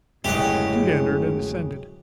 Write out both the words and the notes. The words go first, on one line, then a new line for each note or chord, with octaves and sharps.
Jude entered and ascended.
D1 F#2 A2 C#3 F#3 G#3 G4 D#5